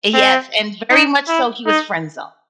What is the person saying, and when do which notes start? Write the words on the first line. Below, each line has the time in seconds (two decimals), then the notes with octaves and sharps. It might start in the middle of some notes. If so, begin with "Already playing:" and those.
Yes, and very much so he was friend zoned,
0.14 C4
0.90 D#4
1.28 E4
1.67 D#4